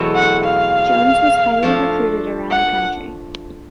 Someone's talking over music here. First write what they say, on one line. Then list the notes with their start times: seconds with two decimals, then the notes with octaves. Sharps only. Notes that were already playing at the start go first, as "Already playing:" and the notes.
Jones was highly recruited around the country.
Already playing: E2 B2 F#3 A3 C4
0.15 F#5
0.44 F5
1.63 F3 A3 D4
2.51 F#5